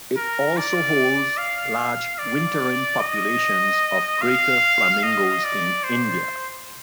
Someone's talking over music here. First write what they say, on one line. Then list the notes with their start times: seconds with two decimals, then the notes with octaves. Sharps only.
It also holds large wintering populations of greater flamingos in India.
0.16 A#4
0.57 D5
1.38 F5
2.18 D5
3.00 D#5
4.22 F5
5.03 D#5
5.44 D5
5.84 C5